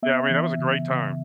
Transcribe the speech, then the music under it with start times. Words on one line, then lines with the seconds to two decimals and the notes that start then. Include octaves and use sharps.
Yeah, I mean, that was a great time.
0.03 B3 E5
0.30 E3
0.59 C#3
0.88 C#3